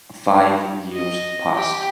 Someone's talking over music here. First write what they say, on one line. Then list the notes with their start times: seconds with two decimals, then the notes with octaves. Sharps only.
Five years pass.
0.93 D#5
1.56 G4